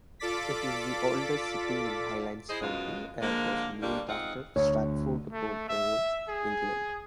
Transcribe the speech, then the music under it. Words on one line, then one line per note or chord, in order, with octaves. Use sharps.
It is the oldest city in Highlands County, and was named after Stratford-upon-Avon, England.
F4 A4 D5 D6 A6 B6
E4 G#4 C5 D#5
F#2 B2 G#3 F4 F#4
D3 F3 G#3 A#3
D2 G3 G#3 A#3 D4
G#2 C4 F4 D#5 F#5
D2 C#5
A3
E5
G#4